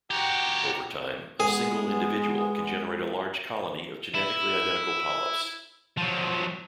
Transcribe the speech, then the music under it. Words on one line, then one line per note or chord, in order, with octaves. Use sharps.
Over time, a single individual can generate a large colony of genetically identical polyps.
F#4 G4 G5 A#5
G#3 B3 G#4
E4
F3 F#3